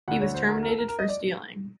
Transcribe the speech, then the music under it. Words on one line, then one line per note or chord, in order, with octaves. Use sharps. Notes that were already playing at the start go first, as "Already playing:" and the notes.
He was terminated for stealing.
D2 D3 F#5
C#5
C5
A#4
A#4
A4
A#4
A#4
D#5
D5